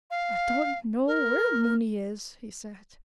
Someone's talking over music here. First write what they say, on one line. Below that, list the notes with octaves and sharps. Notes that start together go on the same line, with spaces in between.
"I don't know where Mooney is," he said.
F5
A#4